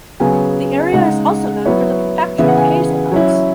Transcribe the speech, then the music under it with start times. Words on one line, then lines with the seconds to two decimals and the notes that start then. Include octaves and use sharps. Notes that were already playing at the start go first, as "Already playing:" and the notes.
The area is also known for the production of hazelnuts.
0.20 C#3 F#3 B3 G#5
0.93 C#3 G#3 D#4 F#5
1.65 F#3 B3 E4 C#5
2.38 C#3 E3 B3 E5
2.48 F#5
2.57 G#5
3.11 F#3 C#4 E4